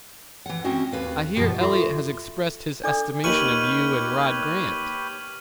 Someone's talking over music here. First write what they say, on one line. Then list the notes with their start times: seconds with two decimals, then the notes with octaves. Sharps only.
"I hear Eliot has expressed his estimation of you and Rod Grant."
0.46 E3 F#5
0.64 C4 C#4 E4 F#4 D#5
0.92 D#2 B4 F5
1.36 F#2 B2 F3 G3
1.60 F4 F#4 A4 E5 C#6
2.84 D4 A4 D5 D6 D#6
3.24 D#2 G4 B4 C#5 C#6 F6 D#7 F#7